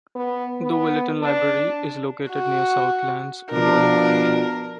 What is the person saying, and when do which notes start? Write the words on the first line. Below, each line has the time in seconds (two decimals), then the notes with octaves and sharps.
The Willetton Library is located near Southlands Boulevarde.
0.16 B3
0.62 B3
1.23 D4
2.29 F#4
3.52 B2 F3 D4 A#4